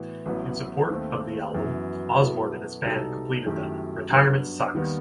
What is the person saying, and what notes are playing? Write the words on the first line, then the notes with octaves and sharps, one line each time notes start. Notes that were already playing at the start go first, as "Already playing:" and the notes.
In support of the album, Osbourne and his band completed the Retirement Sucks!
Already playing: A2 E3 B3 F#4
A1 A2 F#3 B3
D#2 D#3 A3 C4
F#2 E3 B3
B2 F#3 B3 E4 A4
C2 B2 G3 D#4 A4
F#2 D#3 A3 E4 G4
G2 F#3 B3
D#2 D#3 G3 B3